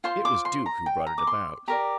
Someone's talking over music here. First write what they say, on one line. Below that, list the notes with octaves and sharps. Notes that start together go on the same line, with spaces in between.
It was Duke who brought it about.
F4 C5 C6
D6
C6
A#5
G5
A#5
D6
C6
G4 A#4 D5 A#5